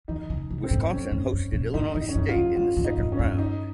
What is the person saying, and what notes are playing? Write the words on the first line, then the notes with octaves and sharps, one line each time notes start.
Wisconsin hosted Illinois State in the second round.
D#3 D#4
C#3
C3
C4
G#2
F2 C#4
G2
G2
A#2
G#2 D#4
G#2
D#4
C#4
G2 D#4
F4
F2
G2 F4
G2
D#4
G#2
C#4
G2
D#4